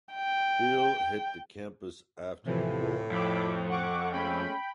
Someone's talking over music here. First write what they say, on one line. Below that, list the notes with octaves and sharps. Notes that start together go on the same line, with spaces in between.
Bill hit the campus after the war.
G5
A2 C3 E3 F3
F2 B5 D6
F#5 C#6 D6
G#3 A3 C#4 G5 B5